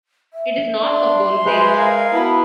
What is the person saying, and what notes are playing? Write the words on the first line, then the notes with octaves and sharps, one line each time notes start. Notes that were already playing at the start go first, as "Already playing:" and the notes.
It is north of Gonzales.
E5
D4 C6
G#3 B4 C5
A#4 F5 G#5
B3 E4 F#4 A5